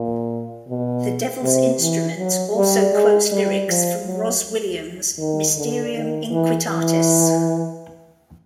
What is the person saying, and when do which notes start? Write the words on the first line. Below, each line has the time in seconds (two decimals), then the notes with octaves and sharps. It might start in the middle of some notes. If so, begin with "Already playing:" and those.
"The Devil's Instrument" also quotes lyrics from Rozz Williams' "Mysterium Inquitatis".
Already playing: A#2
0.68 B2
1.43 C3
1.81 E3
2.18 F#3
2.56 G3
2.93 G#3
3.31 G3
3.68 F3
4.06 F#3
5.18 D#3
5.57 D3
5.95 D#3
6.31 E3
6.69 E3